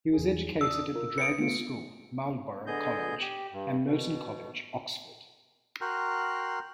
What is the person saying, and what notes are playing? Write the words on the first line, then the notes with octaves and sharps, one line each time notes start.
He was educated at the Dragon School, Marlborough College, and Merton College, Oxford.
E2 G#4
D5 A5 D#6 E6
F4 A#4
B4 D#6 C#7 D7
A3 B3 F4
D3 B3 G#4 D#5 G6
G4
G2
B2
F#4 A#4 G5 C6 F6 F#6